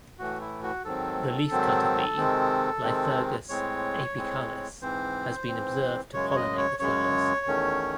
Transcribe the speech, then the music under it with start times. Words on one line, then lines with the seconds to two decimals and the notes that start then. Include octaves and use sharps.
The leafcutter bee "Lithurgus apicalis" has been observed to pollinate the flowers.
0.18 A2 E3 A3 F#4
0.40 E4
0.63 F#4
0.85 G#2 D#3 F#3 C4 A4
1.51 G#2 D#3 F#3 C4
2.17 C3 D#3 G#3 C4
2.83 C3 D#3 G#3 C4
3.49 A2 G#3 C4 C#5
4.15 A2 G#3 C4
4.81 G#2 E3 C4 C5
5.48 G#2 E3 C4
6.13 F#2 C#3 G#3 C#5
6.30 C#5
6.36 D#5
6.57 C#5
6.79 F#2 C#3 G#3 C#5
7.46 E2 D#3 A3 C#4